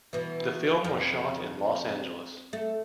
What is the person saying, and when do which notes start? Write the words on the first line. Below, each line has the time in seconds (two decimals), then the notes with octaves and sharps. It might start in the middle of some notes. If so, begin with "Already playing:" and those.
The film was shot in Los Angeles.
0.13 B2 E3
0.84 F2
2.53 A3